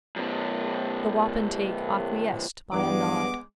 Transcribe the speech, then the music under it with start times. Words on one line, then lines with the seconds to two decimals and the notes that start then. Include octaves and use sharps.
The wapentake acquiesced by a nod.
0.16 F#2 B2
2.72 G2 E3 G#3 B3 D6